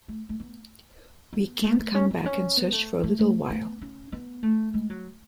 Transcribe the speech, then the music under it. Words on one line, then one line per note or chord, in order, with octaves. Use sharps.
We can't come back and search for a little while.
A3
A3
B3
B3
A3
B3
C#4
B3
C#4
B3
A3
A3
A3
B3
C#4
B3
A3
G#3
F#3